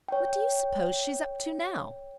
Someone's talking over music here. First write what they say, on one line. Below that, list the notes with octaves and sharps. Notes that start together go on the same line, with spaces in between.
"What do you suppose she's up to now?"
C#5 G5